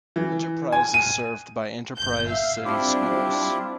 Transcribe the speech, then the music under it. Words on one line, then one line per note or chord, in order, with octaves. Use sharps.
Enterprise is served by Enterprise City Schools.
E3
G#5
D#7
G1 G6
E5 F5
G3 C4 D4 E4 F4 G4